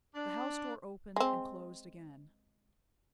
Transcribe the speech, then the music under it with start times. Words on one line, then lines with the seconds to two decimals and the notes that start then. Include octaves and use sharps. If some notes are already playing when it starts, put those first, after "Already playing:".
The house door opened and closed again.
0.15 D4
1.16 G#3 C4